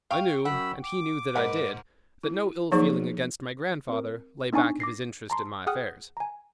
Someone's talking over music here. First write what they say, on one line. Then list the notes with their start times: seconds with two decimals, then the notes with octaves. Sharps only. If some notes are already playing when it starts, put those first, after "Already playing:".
I knew—and he knew that I did—that no ill feeling against my grandfather lay back of his interest in my affairs.
0.11 F5 G5 C#6
0.45 F#2 F#5 B5 E6
0.84 D6
1.35 G#2 A#4 B4 F#5
2.23 E4
2.72 F3 F#3 A#3 D#4 G#4 C5
3.89 C4 A#4
4.53 B3 D4 D#4 G#5 C#6
4.80 D6 A#6 C7
5.30 A5 A#5 C6
5.67 G#4 F#5 G5 D#6 F6 F#6
6.17 G#5 A#5